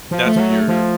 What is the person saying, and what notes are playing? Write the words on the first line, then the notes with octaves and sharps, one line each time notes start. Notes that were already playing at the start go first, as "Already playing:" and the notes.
that's what your
F3
A3
F3
F#3
F3